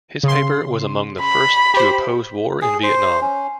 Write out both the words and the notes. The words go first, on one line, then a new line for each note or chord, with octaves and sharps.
His paper was among the first to oppose war in Vietnam.
C#3 C6
B5
G4 C5
G#4
C5
C#4